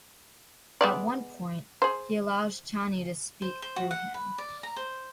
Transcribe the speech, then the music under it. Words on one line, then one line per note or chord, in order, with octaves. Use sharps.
At one point, he allows Chani to speak through him.
G#3 B3 D5
G#4 C5
C5
C5
F#4
F#5
B4
D5
A#5
C5